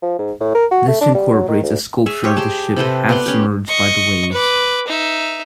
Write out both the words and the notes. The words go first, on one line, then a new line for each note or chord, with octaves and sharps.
This incorporates a sculpture of the ship, half-submerged by the waves.
F3
G#2
A2
A#4
F#4
A3
D4
G3
F#3
D#3
D2
G#4 C#5 E5
G4 C5 C#5
G4 G#4 C5 A5
C3 A4 B4 C5
B3 D5 C6
C#4 G4
D#5 C#6
B4 D6
D#4 E5